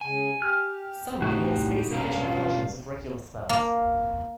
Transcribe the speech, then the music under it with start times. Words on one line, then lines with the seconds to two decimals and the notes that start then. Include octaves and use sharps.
Some are more space-efficient versions of regular spells.
0.01 C#3 G#3 G#5
0.42 G4 F6
1.22 A2 D3 G3 A3 D#4 F#4
1.92 G2 B2 C#4 A#4 F5
2.24 F4
3.49 A#3